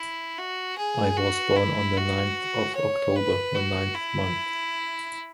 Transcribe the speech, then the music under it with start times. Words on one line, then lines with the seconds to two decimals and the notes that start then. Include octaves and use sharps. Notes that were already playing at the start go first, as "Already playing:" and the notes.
I was born on the ninth of October, the ninth month.
Already playing: E4
0.38 F#4
0.78 G#4
1.17 F#4
1.56 E4
1.96 F#4
2.75 C#5
3.16 B4
3.55 F#4
3.94 E4